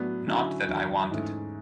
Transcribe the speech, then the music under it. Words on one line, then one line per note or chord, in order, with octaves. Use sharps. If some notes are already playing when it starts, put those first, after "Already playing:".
Not that I want it.
Already playing: A2 F#3 B3 D4
D3 F#3 C#4 E4
E2 D3 F#3
G#2 E3 A3 C#4